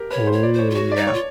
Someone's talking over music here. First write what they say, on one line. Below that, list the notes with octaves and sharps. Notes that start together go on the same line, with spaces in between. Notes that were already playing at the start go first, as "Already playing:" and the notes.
Ooh, yeah.
Already playing: G4 A#4
B4 C#5
C5
C#5
D5
C5
C#5
F4
F#4 C#5
D#4 D5
C#5
F4